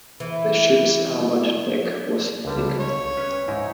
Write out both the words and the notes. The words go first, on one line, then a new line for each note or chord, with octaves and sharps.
The ship's armoured deck was thick.
E3
C#2 D3 G3
C#5
C#4 B4
G#2 D#4 E4